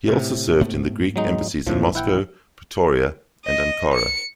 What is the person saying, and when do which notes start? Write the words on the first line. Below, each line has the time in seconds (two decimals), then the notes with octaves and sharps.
He also served in the Greek embassies in Moscow, Pretoria and Ankara.
0.08 A2 C3
0.61 G#2 A3 B3
1.16 F#3 G#3 D#4
1.67 A#1 F2 A2 E3 F3
1.95 E4 F#5 G5
3.45 D#5
3.94 C#7